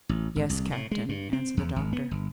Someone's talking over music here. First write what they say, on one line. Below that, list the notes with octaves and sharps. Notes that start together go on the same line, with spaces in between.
"Yes, captain," answered the doctor.
A1
G#1
C2
A2
G#3
G2
C4
E2
G#1
B3
G1